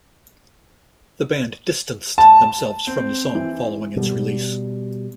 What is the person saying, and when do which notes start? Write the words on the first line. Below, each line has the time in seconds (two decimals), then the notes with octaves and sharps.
The band distanced themselves from the song following its release.
2.18 A5
2.87 C4
3.35 E3
3.96 B2 G3